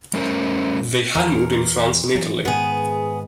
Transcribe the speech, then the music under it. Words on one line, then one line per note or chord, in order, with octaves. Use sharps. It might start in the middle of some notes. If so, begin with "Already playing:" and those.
They honeymooned in France and Italy.
G3 A3 C#4 A#4 C5
E2 E3 A#4
E3 F#3
G#2 D#3 B3 G#4